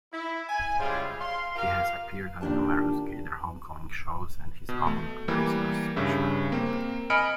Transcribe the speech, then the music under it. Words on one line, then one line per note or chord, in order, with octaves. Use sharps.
He has appeared on numerous "Gaither Homecoming" shows, and his own Christmas special.
E4
G#5
C#3 G3 G#3 E4 F4 C5
F5 C6
F4 G4 A#4 F5
A#2 D#3 D4 G4 A5
B2
A3
E3 G3 A#3
G2 C#3 E5
A#3 C4
D#5 G#5 B5 F6 C#7 D7